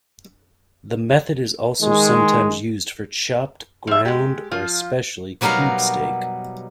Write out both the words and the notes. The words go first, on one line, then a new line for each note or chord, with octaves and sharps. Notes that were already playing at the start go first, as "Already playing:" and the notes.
The method is also sometimes used for chopped, ground, or especially cube steak.
D#3 G#3
F3 E5
G#3 G4
F3 F4
B2 F#3 G3 D#4 A#4 F5